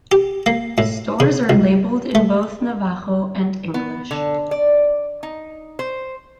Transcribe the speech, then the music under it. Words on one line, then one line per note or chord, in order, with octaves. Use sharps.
Stores are labeled in both Navajo and English.
G4
A#3
A2
C#3
C#2
A3
B3
D3
D5
D#4
C5